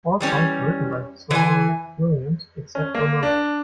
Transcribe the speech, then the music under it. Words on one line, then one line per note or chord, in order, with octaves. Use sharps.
All songs written by Saul Williams except where noted.
E3 G3 C#4
E3 G#5
C#4
A#3
D4